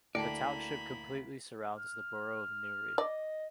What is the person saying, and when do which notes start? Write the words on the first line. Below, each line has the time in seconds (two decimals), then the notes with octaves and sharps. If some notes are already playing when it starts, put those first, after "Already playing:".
The township completely surrounds the borough of Newry.
0.15 D2 A#3 E4 D5 G5 A5 B5
1.78 F6
2.98 D5 D#5